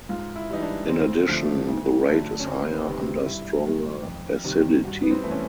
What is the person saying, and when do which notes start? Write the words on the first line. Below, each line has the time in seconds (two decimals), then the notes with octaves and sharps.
In addition, the rate is higher under stronger acidity.
0.09 G#2 F4
0.36 E4
0.49 E3 G3 D#4
0.62 D4
0.88 D2 C4
1.28 D3 F3 A3
1.68 D2
2.07 D3 F#3 A3
2.40 C#4
2.46 D2 C4
2.73 B3
2.86 C3 D#3 G3
3.00 C4
3.26 G2 E4
3.65 D#3 G#3
4.05 F2
4.44 C3 D#3 G3
4.84 G2 F#4
5.03 B3
5.11 C4
5.24 E3 A3
5.31 C#4